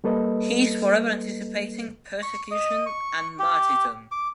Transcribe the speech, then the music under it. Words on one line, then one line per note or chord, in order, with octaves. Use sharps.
He is forever anticipating persecution and martyrdom.
G3 A#3 A4 B4 D#5
C#6
D#5
C#6
G4
D6